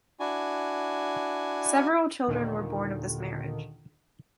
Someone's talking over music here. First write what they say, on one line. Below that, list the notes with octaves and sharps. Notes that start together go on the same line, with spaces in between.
Several children were born of this marriage.
D4 E4 F#4 G#5
D#2 A#2 D3 D#3